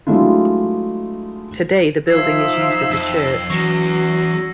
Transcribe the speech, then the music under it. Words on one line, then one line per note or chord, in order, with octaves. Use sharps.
Today the building is used as a church.
F#3 G#3 A3 D4 E4 F4
F3 D#4 E5 E6 G#6 C7
F2
E2 F#3 C#4 C#6 A#6 C#7